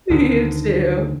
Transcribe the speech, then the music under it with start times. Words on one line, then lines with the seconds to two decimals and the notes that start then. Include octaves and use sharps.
You too.
0.10 D2 D3 D#3